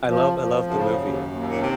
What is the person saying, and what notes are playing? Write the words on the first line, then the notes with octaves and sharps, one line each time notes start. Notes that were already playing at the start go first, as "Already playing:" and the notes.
I love I love the movie.
Already playing: F2
F3
F3
F#2 C#3
A2
F#2
D#2
D#2
A#2
C3